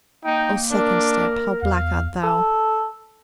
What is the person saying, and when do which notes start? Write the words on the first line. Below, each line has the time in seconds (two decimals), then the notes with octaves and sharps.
Oh, second step, how black art thou!
0.24 A#3 D#4 G5
0.71 D4 A#4
1.62 E2 F5
2.23 A4